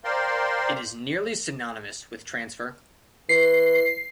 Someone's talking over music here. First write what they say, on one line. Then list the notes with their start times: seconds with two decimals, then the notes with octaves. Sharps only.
It is nearly synonymous with transfer.
0.04 A#4 C5 D5 F5 G5 C6
3.29 E3 C7